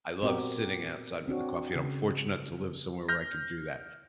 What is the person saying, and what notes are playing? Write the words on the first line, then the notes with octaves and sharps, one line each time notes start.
I love sitting outside with the coffee, and I'm fortunate to live somewhere where I can do that.
A#2 B3 C4 F#4 G4 A#4
C4 D4 F#4 C#5
C#3
F6 G6 A#6